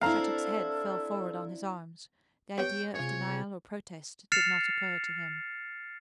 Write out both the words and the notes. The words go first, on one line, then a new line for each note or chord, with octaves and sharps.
Shattuck's head fell forward on his arms.--The idea of denial or protest did not occur to him.
C4 D4 E4 A4 F5 A#5
B3 G4 C#5 G5
C3 G#3 F4 G#4 C#5
F6 A6 C7 C#7 E7 F7